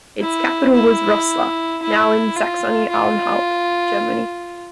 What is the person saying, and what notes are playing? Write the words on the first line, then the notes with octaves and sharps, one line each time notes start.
Its capital was Rossla, now in Saxony-Anhalt, Germany.
E4
E4
E4
F4
F4